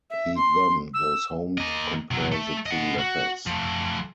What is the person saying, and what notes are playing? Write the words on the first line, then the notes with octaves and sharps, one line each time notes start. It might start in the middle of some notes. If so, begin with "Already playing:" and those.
He then goes home to compare the two letters.
E5
C6
E6
A#3 D#5
C3 F#3
A3
D#5 F#5
F#4
F3 A3